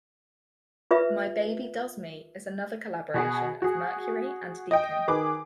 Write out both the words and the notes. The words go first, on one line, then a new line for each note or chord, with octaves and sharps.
"My Baby Does Me" is another collaboration of Mercury and Deacon.
F4 B4 E5
B2 F#4 G#4
F#4 G#4
D#5 G5
D#3 G#4 B4 D6